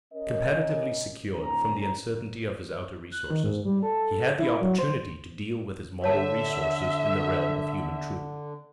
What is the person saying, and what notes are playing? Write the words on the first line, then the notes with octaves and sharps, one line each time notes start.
Comparatively secured from the uncertainty of his outer resources, he had the opportunity to deal with his moral resources in the realm of human truth.
C#4 A#4 D#5
A2 D3 C4 C#4 A#5
F#6
D#3
G#2
G3
A4
E4
F#3
C5
D3 C#5 E5 A5